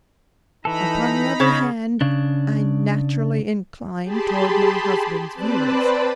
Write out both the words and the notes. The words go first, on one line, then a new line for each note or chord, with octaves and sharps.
Upon the other hand, I naturally incline toward my husband's views.
E3 D#4 A4 A#5 B5
C#3
C#3 D4
G4 G#4 A5 B5 C6
C4 B4 C5 D5 A5 B5